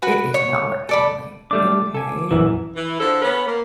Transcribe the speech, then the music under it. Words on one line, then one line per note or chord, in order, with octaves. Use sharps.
"It is not working," I'm like, "Okay,"
F#4 B4 F#5 B5
C#5
A4 D5 B5
G3 A3 D4 D6
A4 G#5
A#1 F#2 E3
E3
D3 F3 A4
B3 C#4 B4
A#3